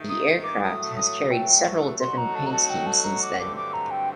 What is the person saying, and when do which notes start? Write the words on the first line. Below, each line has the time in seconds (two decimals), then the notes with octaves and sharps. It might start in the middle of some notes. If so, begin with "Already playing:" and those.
The aircraft has carried several different paint schemes since then.
Already playing: G2 D#3 A3 D#4
0.09 D#6
0.44 D6
0.61 A2 F#3 A3 D#6
0.96 D#6
1.31 G5
2.00 F#3 A3 D#4 F#4 A4 C6
2.18 A#5
2.35 A5
2.47 A#5
2.52 A5
2.70 G5
2.86 A5
3.04 A#5
3.22 D6
3.39 G2 D3 F#3 A3 C4 D6
3.57 D6
3.73 A#5
3.91 G5